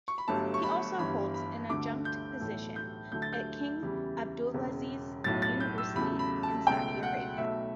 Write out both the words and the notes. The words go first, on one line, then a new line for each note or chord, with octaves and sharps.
He also holds an adjunct position at King Abdulaziz University in Saudi Arabia.
C#6
B5
G1 G2 F#3 A3 A5
C#6
B5
G1 G2 E3 B5
B5
D2 D3 A3 D6
G6
B1 A2 E3 A3
G6
D2 D3 F#3 A3 G6
A6
G6
E2 C#3 E3 G3
E1 E2 C#3
B1 A2 F#3 A6
A6
G6
E6
E2 C#3 F#3 A3 B5
B5
A5
C#2 B2 F#3 A3 G5
F#5
B1 B2 F#3 A3 E5